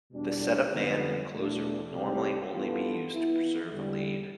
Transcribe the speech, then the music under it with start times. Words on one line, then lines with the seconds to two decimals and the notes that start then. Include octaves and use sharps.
The setup man and closer will normally only be used to preserve a lead.
0.12 E2 B2 G3 D4
0.72 F2 D3 G3 B3
1.32 E2 B2 A3 D4
1.91 C2 C3 G3 C4 G4
2.51 G2 E3 B3 F4 A4
3.11 E3 B3 E4
3.70 E2 D3 G3